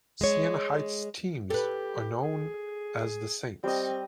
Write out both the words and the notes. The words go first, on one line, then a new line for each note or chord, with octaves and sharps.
Siena Heights teams are known as the Saints.
G#3 C#5
G4 A4 B4
G#4
G3 C4 D#5